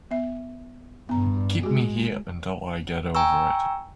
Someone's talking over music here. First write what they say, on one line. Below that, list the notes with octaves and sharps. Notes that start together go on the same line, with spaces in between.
Keep me here until I get over it.
B3 E5
G2 B3 A#5
G#3 F#4 G#4
G5 G#5 A#5 C#6 E6